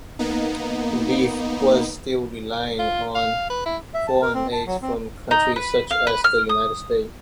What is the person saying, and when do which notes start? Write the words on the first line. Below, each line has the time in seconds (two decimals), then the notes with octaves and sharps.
Relief was still relying on foreign aid from countries such as the United States.
0.19 A#3 B3 D#4
2.78 F4
3.15 F5
3.49 B4
3.65 E4
3.94 E5
4.07 A5
4.22 A#4
4.34 C4
4.53 A5
4.67 F#3
4.82 C4
5.31 D#4
5.56 B4
5.91 F5
6.07 B4
6.24 F6
6.49 D#6